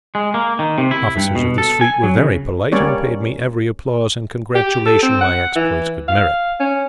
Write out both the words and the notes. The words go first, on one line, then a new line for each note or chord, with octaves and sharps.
The officers of this fleet were very polite, and paid me every applause and congratulation my exploits could merit.
G#3
A#3
D#3
C3
E4
G2
B2
A4
G#5
F#3
C#3
G3 A#3 C#4 C#5 D5
G4
A4
C4
F#5
E3
F5
C#4